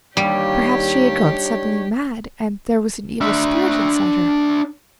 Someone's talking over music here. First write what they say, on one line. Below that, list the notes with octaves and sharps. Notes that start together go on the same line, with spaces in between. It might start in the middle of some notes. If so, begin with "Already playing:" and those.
Perhaps she had gone suddenly mad, and there was an evil spirit inside her.
D#2 G3 D4 D#4 G4 C#5
D4 E5